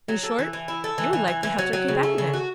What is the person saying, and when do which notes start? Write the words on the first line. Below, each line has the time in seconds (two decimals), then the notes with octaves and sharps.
'In short, you would like the Heptarchy back again.
0.08 F#3
0.23 A4
0.39 E3
0.53 E3
0.68 E4
0.84 A4
0.98 E3
1.13 E3
1.28 E3
1.43 E3
1.58 F#3
1.73 F#3
1.88 C#3
2.03 A3
2.18 C#3
2.33 F#4